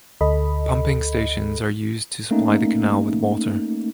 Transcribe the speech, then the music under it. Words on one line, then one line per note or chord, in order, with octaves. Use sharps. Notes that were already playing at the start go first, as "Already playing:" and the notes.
Pumping stations are used to supply the canal with water.
D2 A4 D#5 B5
A3 A#3 C#4 D#4